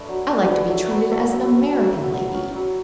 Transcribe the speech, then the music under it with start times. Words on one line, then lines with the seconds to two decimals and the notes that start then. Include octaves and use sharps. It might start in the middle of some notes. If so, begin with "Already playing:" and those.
"I like to be treated as an American lady."
Already playing: A3 D4 B4 D5
0.09 F#3
0.29 D4 A4 C#5
0.50 F#3 G#4 B4
0.70 A3 C#5 E5
0.91 F#3 B4 D5
1.11 E4 A4 C#5
1.32 F#3
1.52 C#4
1.72 F#3
1.93 E4 G#4
2.13 F#3
2.34 C#4
2.54 F#3